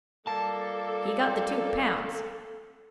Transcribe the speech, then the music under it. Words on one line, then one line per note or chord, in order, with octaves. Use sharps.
He got the two pounds.
G3 A#3 F4 A4 D5 A5